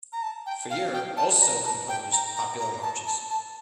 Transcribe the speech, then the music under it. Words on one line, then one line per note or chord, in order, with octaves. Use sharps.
Freire also composed popular marches.
A#5
A5
G5
F5
G5
A5
A#5
A5
G5
A#5
A#5
A#5
A5
A5
A5